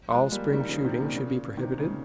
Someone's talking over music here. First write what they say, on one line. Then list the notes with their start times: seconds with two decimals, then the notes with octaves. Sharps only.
All spring shooting should be prohibited.
0.11 F3 G#3
0.32 G3 A#3
0.52 D#3 G3
0.68 C#3 F3
0.84 C3 D#3
1.00 A#2 C#3
1.15 A#2 C#3
1.57 C3 D#3
1.77 A#2 C#3